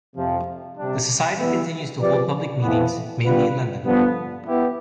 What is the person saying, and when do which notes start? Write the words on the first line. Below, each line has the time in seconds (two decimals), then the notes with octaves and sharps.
The society continues to hold public meetings, mainly in London.
0.16 F2 C3 F3
0.77 C3 G3 D4
1.39 E3 G3 B3 E4
2.01 F3 C4 G4 B4 D5
2.61 F2 E3 B3
3.24 D3 G3 B3 F4 B4
3.85 G2 D3 F3 B3
4.46 B3 E4 G4